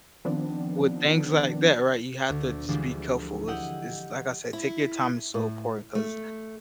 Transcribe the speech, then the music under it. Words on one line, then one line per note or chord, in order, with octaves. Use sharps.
with things like that, right, you have to just be careful. It's it's like I said, taking your time is so important 'cause
D#3 F3 B3 C4 D4
D2
D2 E3 F3 G3 G#3
E4 G4 D#5 F#5 G5
E4
A2
A3